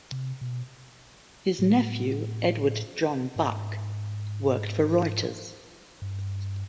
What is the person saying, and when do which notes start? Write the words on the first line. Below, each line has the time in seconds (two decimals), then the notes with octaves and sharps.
His nephew Edward John Buck worked for Reuters.
0.12 C3
0.41 B2
1.59 A2
3.36 G#2
6.02 G2